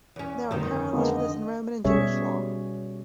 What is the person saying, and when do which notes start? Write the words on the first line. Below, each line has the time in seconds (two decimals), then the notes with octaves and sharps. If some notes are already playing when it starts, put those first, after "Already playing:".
There are parallels for this in Roman and Jewish law.
0.16 E2 C#4
0.51 G1 F2 D#3 B3
0.93 D3 G#3 A#3 B3
1.16 D#5
1.85 B2 G3 C#4 G#4 C#5 E5